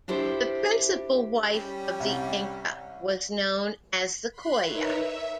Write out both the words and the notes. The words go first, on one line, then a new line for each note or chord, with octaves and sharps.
The principal wife of the Inca was known as the Coya.
D4 E4 G4 A4 C5
G3 C#4
C2 C3
B5 C6 F#6
D#4 A#4 B4 C#5 E5
E5